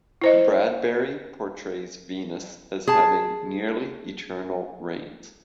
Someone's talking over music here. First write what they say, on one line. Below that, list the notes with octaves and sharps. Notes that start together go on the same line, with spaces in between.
Bradbury portrays Venus as having nearly eternal rains.
E4 C5 D#5
G#4 A5